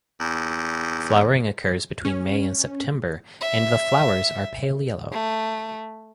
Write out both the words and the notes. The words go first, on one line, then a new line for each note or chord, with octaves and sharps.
Flowering occurs between May and September and the flowers are pale yellow.
E2
C#4
E5
A3